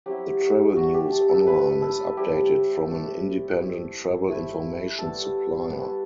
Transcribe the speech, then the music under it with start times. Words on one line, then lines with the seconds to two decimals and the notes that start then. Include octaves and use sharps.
The travel news online is updated from an independent travel information supplier.
0.06 F#3 C4 E4 G4
0.77 A3 D4 F#4
0.94 G4
1.12 A4
1.29 A4
1.47 A3 E4 B4
1.82 A4
2.17 G3 C4 E4 G4
2.88 A3 D4
3.58 A3 C4 E4
4.28 A3 C4 E4
4.99 G3 B3 D4 A4
5.69 G3 B3 D4